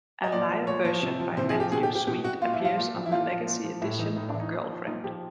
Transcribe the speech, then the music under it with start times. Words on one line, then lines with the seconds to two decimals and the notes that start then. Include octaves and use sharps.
A live version by Matthew Sweet appears on the Legacy edition of Girlfriend.
0.24 D#5
0.32 A#2 D5
0.50 F3
0.67 A#2 C#5
0.85 F3
1.02 C3
1.20 F3
1.37 C3 C5
1.49 G#4
1.54 F3
1.60 G4
1.72 B2 G#4
1.83 G4
1.95 G4
2.07 B2 G4
2.24 F#4
2.42 A#2 F4
2.53 E4
2.60 F3
2.65 F4
2.77 A#2
2.94 F3
3.06 E4
3.12 A#2 F4
3.30 F3
3.47 A#2
3.64 F3
3.81 A2 E4
3.99 E3 D#4
4.16 A2 D#4
4.29 D4
4.34 E3
4.40 D#4
4.52 A#2
4.69 F3
4.86 A#2 D#4
5.04 F3 G4